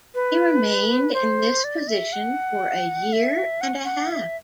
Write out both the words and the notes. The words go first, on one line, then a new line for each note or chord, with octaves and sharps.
He remained in this position for a year and a half.
B4
C5
D5
E5
F#5
E5
F#5
F#5
E5